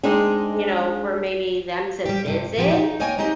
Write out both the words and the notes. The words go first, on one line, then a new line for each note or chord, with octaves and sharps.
you know, for maybe them to visit.
G#3 C4 D4 D#4 G#4
G3 G4
G2 C3
A#2 F3 G4
D#4
A#3 C5 C#5 D#5 G5 G#5
C4 D#4 G4 C5 D#5